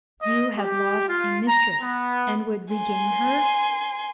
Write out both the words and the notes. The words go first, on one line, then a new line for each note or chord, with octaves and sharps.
"You have lost a mistress, and would regain her?"
D#5
G4
F4
A#5
B3
G#5 C6